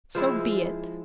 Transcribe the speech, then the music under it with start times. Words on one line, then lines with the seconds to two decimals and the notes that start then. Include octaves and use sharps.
So be it!
0.15 F3 G#3 E4